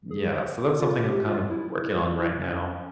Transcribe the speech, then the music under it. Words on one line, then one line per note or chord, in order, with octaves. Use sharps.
yeah, so that's something I'm kind of w working on right now.
G#4
C5
F4
G4
F4
E4
E4
F4
E4
C#4